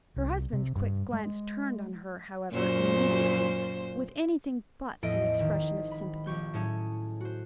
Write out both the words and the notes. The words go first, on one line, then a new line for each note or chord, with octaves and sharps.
Her husband's quick glance turned on her, however, immediately, with anything but an expression of sympathy.
C2
C3
G2
G#3
F#2 A#2 C5
E2 A2 F3 A4 D#5 D7
G#1 D#3
B5
A#1 G4 C#6 G6
A2 F#3 C#4 G#4 C#5 A5
F#4 C5